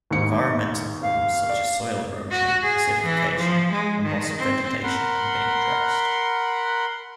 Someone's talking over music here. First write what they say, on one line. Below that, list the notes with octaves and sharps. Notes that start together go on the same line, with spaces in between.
Environmental problems such as soil erosion, acidification, and loss of vegetation are being addressed.
D#2 G#2 C#7
F5
D5
F#4
G#4
E3
F3
G#3
D#3
C4
A#4 F#5 B5 C6